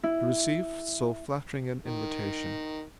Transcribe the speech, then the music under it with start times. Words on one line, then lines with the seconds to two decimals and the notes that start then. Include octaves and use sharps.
To receive so flattering an invitation!
0.03 E4
1.84 D#3